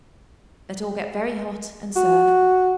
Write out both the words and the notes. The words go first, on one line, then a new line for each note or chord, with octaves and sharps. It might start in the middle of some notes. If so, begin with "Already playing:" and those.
Let all get very hot and serve.
F#4